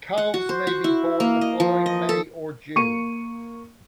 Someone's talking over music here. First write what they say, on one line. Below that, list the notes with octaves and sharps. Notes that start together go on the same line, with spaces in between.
Calves may be born the following May or June.
F#5
F#4
C5
F#4
E4
A#3
D#5
F3
D#5
A4
A#3 C#6 C#7 D#7